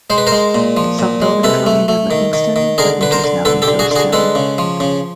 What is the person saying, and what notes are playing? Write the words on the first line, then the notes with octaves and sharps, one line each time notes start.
Some buildings remain in Livingston, but it is now a ghost town.
G#3 C5
B4
A#4 C5
G#3
A#2
F3
A#2
G#3
C3 A4 B4
A3
A3
D#3
D#3
D#3
D3 G#4 A#4
D3 B4
A#4 C5
D3
D3 A4 B4
G4 A4
D3
F#4 G#4
D3 F#4 G#4
G#3 A4 B4
C#3
F3
C#3